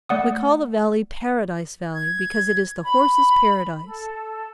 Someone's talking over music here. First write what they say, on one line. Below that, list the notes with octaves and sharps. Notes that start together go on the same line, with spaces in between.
We call the valley Paradise Valley because it is the horses' paradise.
A3 D5 F#5 D#6
G#6
B5
A4